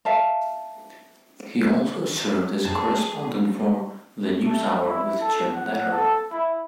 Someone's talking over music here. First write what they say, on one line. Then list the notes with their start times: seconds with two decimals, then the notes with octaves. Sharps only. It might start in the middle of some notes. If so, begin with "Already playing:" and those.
He also served as a correspondent for "The News Hour with Jim Lehrer".
0.05 E5 F5 A5 A#5
2.65 G#4 A5
4.45 A3
4.87 E4
5.21 A4
5.53 F#5
5.92 A4
6.32 E4